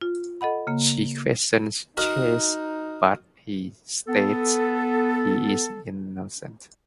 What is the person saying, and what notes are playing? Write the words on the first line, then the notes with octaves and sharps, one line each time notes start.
She questions Chase but he states he is innocent.
F4
A4 D#5 F#5 B5
C#3 A#3
D#4 F#4 A#4 D#5
B3 A4